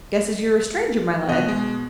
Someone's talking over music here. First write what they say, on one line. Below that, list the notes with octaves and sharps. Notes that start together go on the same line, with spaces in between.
"Guess as you're a stranger, my lad."
B2 D#5 F#6
G#3